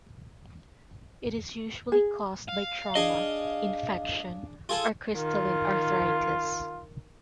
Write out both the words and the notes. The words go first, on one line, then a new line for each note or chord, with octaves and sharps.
It is usually caused by trauma, infection, or crystalline arthritis.
G#4
F5
D4 G#4 D#5
F4 G#4 A4
D#3 F4